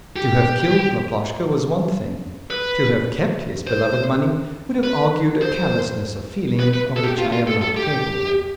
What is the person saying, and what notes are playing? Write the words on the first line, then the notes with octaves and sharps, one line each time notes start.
To have killed Laploshka was one thing; to have kept his beloved money would have argued a callousness of feeling of which I am not capable.
G4
B4
C5
B4
C5
B4
B4
A4
G4
F4
F4
A4
A4
G4